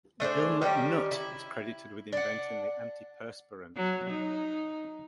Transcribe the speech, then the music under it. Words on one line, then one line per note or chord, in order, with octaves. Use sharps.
Bill McNutt is credited with inventing the antiperspirant.
A3 D4 G#4 C5
D#3 G3 C#4 G4
E4
D4 F#5
F#3
D#4